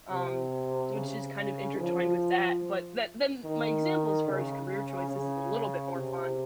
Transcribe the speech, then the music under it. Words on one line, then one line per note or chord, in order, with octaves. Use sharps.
Um, which is kind of intertwined with that but that then my example as far as career choices is a little bit more fun.
C3
C#3
F3
D#3
C#3
C#3
C3